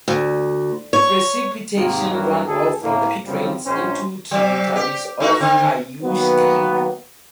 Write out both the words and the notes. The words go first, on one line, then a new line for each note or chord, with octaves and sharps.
Precipitation runoff from the peak drains into tributaries of Cayoosh Creek.
D2
C#5
G#2 C3 D#3 G#3 A#3 C4
E2 G2 F#3 G3 G4 A#4
D2 G#4 A4
A2 A#3
F#2 C#3 F3 G3 C4
A#1 C#4 C5
C3 F#3
G4
A3 D#4 F#4
D3 C4
D#3 F#3 A#3 B3